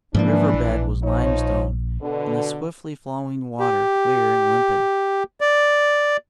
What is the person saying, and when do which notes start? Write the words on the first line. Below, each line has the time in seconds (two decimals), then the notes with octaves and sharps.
The river bed was limestone, and the swiftly flowing water, clear and limpid.
0.15 G#2 E3 F3 A#3 D4
0.54 A#1
1.02 F3 D#4 C#5
2.01 B2 D3
3.59 G4
5.41 D5